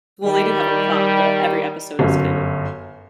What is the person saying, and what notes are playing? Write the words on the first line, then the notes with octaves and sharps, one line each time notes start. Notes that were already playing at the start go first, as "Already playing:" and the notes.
Well, they do have a plot, but every episode is kind of
D#3 G3
G1 F#2